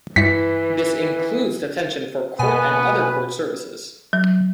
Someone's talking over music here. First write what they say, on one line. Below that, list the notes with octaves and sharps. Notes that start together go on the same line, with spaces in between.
This includes detention for court and other court services.
G2 E3 E4 B6 C#7
B2 A#3 B3 F#4 B4 G#5
F#3